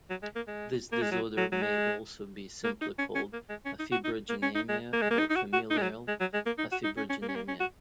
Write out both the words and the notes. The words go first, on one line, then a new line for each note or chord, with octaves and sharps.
This disorder may also be simply called afibrogenemia or familial afibrogenemia.
F#3
G#3
A#3
G#3
A#3
G#3
F#3
F#3
F#3
G#3
A#3
D#4
C#4
C#4
A#3
G#3
C#4
D#4
F#4
D#4
A#3
C#4
D#4
G#3
A#3
G#3
A#3
D#4
D#4
F#4
F#4
D#4
G#3
F#3
G#3
F#3
G#3
A#3
D#4
F#4
D#4
C#4
C#4
A#3
C#4
A#3
C#4
F#4